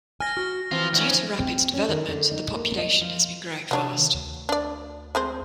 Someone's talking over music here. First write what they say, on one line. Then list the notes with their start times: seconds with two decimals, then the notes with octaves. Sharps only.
Due to rapid development, the population has been growing fast.
0.20 G#5 F6 A#6
0.37 F#4 F6
0.71 E3 F3 C4 F4
0.93 D2 C#4
1.08 F3
1.39 C4
1.73 C#4
1.89 D#3
2.08 D3
2.32 D#4
2.54 A#3
2.77 D#5
3.01 F3
3.71 C3 F#3 D4 C#5
3.98 D#3
4.14 D2
4.49 D4 D5
5.15 G#3 C4 C5